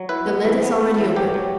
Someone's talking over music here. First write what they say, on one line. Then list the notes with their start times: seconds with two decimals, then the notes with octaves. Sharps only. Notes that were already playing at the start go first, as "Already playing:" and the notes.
The lid is already open.
Already playing: F#3
0.09 E4 B4
0.27 B3
0.45 E3
0.63 B3
0.80 B3
0.99 E3
1.16 F#3 G4
1.34 F#3